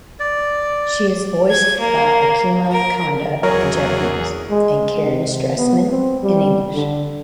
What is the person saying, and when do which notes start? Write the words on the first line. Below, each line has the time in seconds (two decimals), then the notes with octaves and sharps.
She is voiced by Akemi Kanda in Japanese and Karen Strassman in English.
0.20 D5
1.49 G#6
1.80 A#3
2.72 A#4
3.43 E2 F#3 G#4 A#4 C#5
4.50 G#3
5.06 C3
5.58 B3
5.89 C4
6.23 G3
6.74 D3